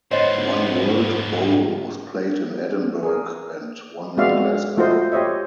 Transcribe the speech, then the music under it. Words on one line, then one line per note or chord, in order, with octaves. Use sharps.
One World Bowl was played in Edinburgh and one in Glasgow.
G#2 B3 C5 C#5 D#5
G#4 A#4
G#3 B3 F#4 D5 E5 F5
A3 F4 F#4 A4 C5 D#5
G4 C5 C#5 D#5 E5